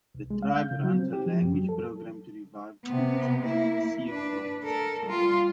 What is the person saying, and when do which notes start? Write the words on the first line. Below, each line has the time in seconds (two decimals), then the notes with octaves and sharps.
The tribe runs a language program to revive Coos and Siuslaw.
0.15 C2
0.30 G#3
0.42 F5
0.56 G6
0.71 C#3
0.84 F#3
0.99 C4
1.13 G4
1.26 F3
1.42 F#2
1.54 F#3
1.69 A4
2.85 C3 B3
3.43 A#3 E4
4.09 D4 B4
4.64 A4 A#4
5.06 G3 F4